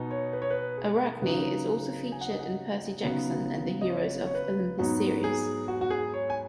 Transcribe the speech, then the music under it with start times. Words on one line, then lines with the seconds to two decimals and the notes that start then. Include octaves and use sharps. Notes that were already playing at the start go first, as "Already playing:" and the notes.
Arachne is also featured in the Percy Jackson and Heroes of Olympus series.
Already playing: B2 B3 D#4
0.11 C#5
0.33 B4
0.42 C#5
0.50 B4
0.77 G#4
1.22 C#3 F#3 D#4 B4
2.12 G#5
2.21 F#5
2.30 D#5
2.39 F#5
3.01 C#3 F#3 B3 D#4
3.81 D#5
3.90 C#5
4.27 C#5
4.35 B4
4.79 G#2 F#3 B3 D#4 F#4
5.24 G#4
5.68 F#4
5.81 F#4
5.90 G#4
6.14 C#5
6.30 G#5